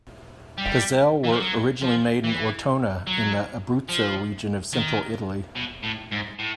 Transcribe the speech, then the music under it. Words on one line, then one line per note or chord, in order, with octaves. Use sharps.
Pizzelle were originally made in Ortona, in the Abruzzo region of central Italy.
G3
E3
F3
F#3
F3
E3
F#3
F3
D#3
B2
A2
G#2
A2